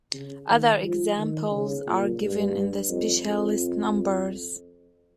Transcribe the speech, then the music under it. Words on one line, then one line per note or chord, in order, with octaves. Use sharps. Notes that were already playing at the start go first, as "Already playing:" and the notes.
Other examples are given in the Specialist Numbers.
C#3
D#3
F3
D#3
C#3
A#2
G2
F2
F2